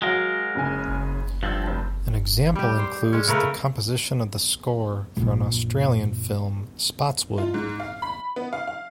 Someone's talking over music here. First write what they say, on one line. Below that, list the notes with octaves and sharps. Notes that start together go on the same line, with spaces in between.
An example includes the composition of the score for an Australian film "Spotswood".
F#3 G#3 A#4 F5
F#1 C#3 G#5
G2 F3 E6 G6 A6
F1 A5
G3 G4
C5
G#3 C#4
C#3 A3 A#4 B4
A#1 F#2
F4
G#2
F5
B5
B3
F5
F5